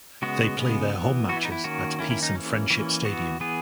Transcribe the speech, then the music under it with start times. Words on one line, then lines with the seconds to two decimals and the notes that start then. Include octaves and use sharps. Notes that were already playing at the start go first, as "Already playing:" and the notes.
They play their home matches at Peace and Friendship Stadium.
0.22 C#3 G#3 B3 F#4
0.58 C#3 G#3 B3
0.93 E3 B3
1.28 E3 F#4
1.32 B3 E4
1.45 D#4
1.52 E4
1.64 D#3 A#3 C#4 F#4
1.99 D#3 A#3 C#4 E4
2.11 E4
2.23 D#4
2.35 E3 A#3 C#4
2.70 E3 A#3 C#4
3.05 E3 B3 F#4
3.40 E3 B3 G#4